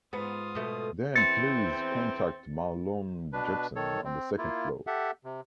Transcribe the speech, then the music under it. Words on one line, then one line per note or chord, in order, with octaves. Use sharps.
Then please contact Marlon Jepsen on the second floor.
G#2 B3 F4 D#6
B2 A3
E2 E3 C4 A6 C#7
B2 D4 B4
D#3 A4 C#5
C4
A#3 E4 F4
G4 A4 E5 F#5
C3